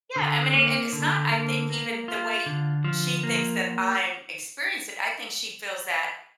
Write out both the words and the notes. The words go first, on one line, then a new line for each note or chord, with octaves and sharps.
Yeah, I mean, and and it's not, I think, even the way she thinks that I'm experience it, I think she feels that
D3
A#3
D3
A#3
A#3
F4
D3
F3
A#3